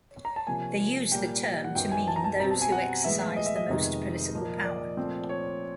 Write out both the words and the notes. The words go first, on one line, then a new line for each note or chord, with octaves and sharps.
They use the term to mean those who exercise the most political power.
A#5
A5
C3 F3 A#3 G#5
A#2 G3 A#3 G5
F#5
F#2 D#3 F#3 B3 G5
G#5
A5
A#5
A5
B2 G3 C4 A#5
A5
G#5
F#5
A2 E3 G#3 B3 E5
D#5
E5
D#5
F2 C3 D#3 G#3 B3
A#2 F3 A#3
D5
A#2 F3 A3 C4
C#5